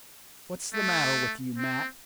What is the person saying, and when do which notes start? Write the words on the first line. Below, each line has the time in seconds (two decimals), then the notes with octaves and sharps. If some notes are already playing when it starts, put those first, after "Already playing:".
What's the matter with you, Matt?
0.74 A3
1.58 C4